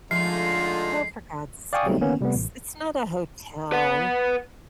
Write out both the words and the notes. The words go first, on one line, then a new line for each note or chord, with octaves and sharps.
Oh, for god's sakes. It's not a hotel.
D3 F3 G#3 A3 D#4 F4 C7
D5 F5 G5 G#5 C#6 D#6
F#3 G3 A3 B3 C4 D#4
D#3 A#3 B3 C#4
C3 G3 A3 B3
A1
B4 F#5